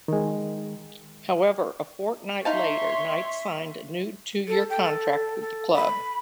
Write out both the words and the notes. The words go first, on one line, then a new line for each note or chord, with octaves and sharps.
However, a fortnight later, Knight signed a new two-year contract with the club.
D#3 G#3
D#4 C#5 E5 F5 A5 C6
A4
G5
A4
A4
B5